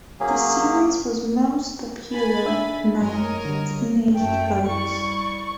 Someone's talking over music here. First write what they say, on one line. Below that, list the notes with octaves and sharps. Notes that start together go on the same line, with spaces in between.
The series was most popular among teenaged girls.
F#3 A#3 C#4 G#4
G#5 B5 A6
D4 D#4 E5
F#2 A#4 C#5 D#5
D3 G3
F#2 A3 G5
G3 E4 D5 C#6